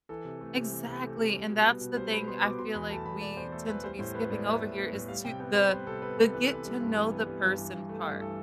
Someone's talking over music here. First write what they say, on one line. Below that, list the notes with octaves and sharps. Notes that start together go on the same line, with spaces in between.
Exactly, and that's the thing I feel like we tend to be skipping over here is to the the get to know the person part.
E3 A4
C3
A3
C3
E3
C3
A3
C3
G3
B2
B3
B2
G3 C5
B2 B5
B3 C6
B2 D6
B2 C6
E2 B5
A3 A5
E2 B5
B2 D5
E2 C5
A3 A4
E2 B4
G3 C5
A2 C5
B3 B4
A2 D5
G3 E5
A2
B3
A2
G3 F5
C3 G5
B3 G5
C3 C5
G3 B4
C3 A4
B3 B4
C3 A4
E3 B4
A4
B3 B4
G3
G2
E3
B3
G3
G2
E3
G2
A3
G2
E3 A4